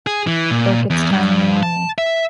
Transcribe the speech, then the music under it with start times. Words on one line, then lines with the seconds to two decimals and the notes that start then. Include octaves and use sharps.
Burkett's time in the Army.
0.07 G#4
0.27 E3
0.51 A#2
0.90 E2
1.11 G2
1.63 A5
1.98 E5